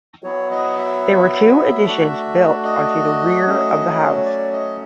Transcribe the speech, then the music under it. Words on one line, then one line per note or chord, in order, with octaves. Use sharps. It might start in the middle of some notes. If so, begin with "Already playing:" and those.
There were two additions built onto the rear of the house.
F#3 B3 E4 C#5
D#5
E5
A3 D4 F#4
D#5
F#3 A3 C#4
D5
D#5